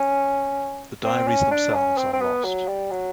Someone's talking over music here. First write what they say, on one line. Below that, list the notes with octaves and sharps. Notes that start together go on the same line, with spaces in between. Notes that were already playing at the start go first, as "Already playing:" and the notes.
The diaries themselves are lost.
Already playing: C#4
C4
C#4
D4
C#4
C4
C4
B3
F#3
G3
F#3